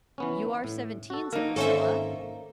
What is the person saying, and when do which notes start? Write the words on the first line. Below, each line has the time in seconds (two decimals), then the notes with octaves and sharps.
"You are seventeen," said Priscilla.
0.18 E3 B3 C#4
0.64 A2
1.10 F#4 A4
1.32 A#3 D#4
1.56 G#1 C#4 A4 C5 C#5 E5